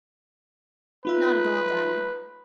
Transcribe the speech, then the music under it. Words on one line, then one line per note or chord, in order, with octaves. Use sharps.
"Not at all, Daddy."
D#4 F4 B4 E5